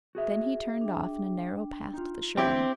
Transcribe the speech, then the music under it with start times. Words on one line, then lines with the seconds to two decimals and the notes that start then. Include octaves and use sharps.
Then he turned off in a narrow path to the shore.
0.15 F#4 G#4 E5
0.81 D4 G5
1.94 D#4 F4
2.37 E2 D3 C4 E4 G4 G5